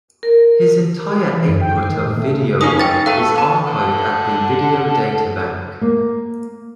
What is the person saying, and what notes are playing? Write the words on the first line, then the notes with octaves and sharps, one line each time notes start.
His entire output of video work is archived at the Video Data Bank.
A#4
G4
B5
E3
F#2
G5
C7
D#3
A2
A3
C#3
A#3 C#4 D#4 D#6
G5 A6
A3 A4 B4 F5
A#3 A5
A4 F#5
A#3